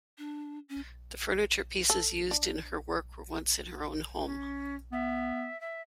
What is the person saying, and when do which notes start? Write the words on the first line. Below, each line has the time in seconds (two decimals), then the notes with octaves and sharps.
The furniture pieces used in her work were once in her own home.
0.18 D4
0.69 C#4
1.90 A4
2.31 D4
4.25 C#4
4.92 B3 E5
5.60 E5